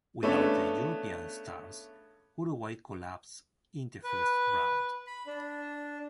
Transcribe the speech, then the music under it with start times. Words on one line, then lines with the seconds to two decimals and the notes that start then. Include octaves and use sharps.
Without the "European" stars, Uruguay collapsed in the first round.
0.22 C#3 A3 B3 C#4 D4 A4
4.04 B4
5.07 B5
5.27 D4